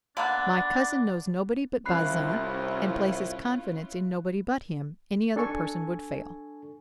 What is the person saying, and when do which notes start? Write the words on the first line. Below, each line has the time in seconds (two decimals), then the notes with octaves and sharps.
My cousin knows nobody but Bazin, and places confidence in nobody but him; any other person would fail.
0.17 D3 A#3 B3 D4
1.86 C2 C3 C#4 E4 F4 B5 F#6 C7
5.36 D4 A4 G#5 C#6